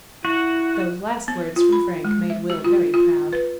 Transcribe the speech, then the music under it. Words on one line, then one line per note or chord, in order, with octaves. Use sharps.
Those last words from Frank made Will very proud.
E4 F#4
B3
F4
B5
G#3
E5
F#4
F4
F4
B4